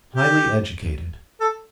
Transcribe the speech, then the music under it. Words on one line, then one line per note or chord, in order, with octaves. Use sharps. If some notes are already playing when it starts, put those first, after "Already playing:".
Highly educated.
G4
A4